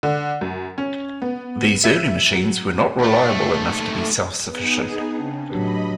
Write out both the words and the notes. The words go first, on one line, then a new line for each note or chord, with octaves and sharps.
These early machines were not reliable enough to be self-sufficient.
D3
F#2
C#4
B3
E5
F#3
D#2 A3
B3 D#4 G#4 B4
C#3 C4 D4
A2 F#3 D4 G4 B4 D#5 B5